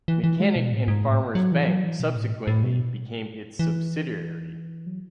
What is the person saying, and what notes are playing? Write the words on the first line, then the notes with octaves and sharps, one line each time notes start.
Mechanic and Farmers Bank subsequently became its subsidiary.
E3
E3
G#3
B2
A2
G#2
A2
F#3
E3
F#3
E3
B2
A2
A2
B2
E3
F#3